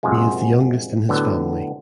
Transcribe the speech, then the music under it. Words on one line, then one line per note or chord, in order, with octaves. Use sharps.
He is the youngest in his family.
A#1 F#2 C3 F3 G#3
A2 D3 F#3 B3 F#4